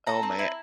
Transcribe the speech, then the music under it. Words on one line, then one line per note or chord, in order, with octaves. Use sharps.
oh, man.
A4 A#5
C4
E4